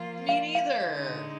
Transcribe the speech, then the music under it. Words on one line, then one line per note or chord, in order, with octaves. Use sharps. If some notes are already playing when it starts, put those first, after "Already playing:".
Me neither!
Already playing: F3 A#3 F4
F5
F5
D3 G#3 D#4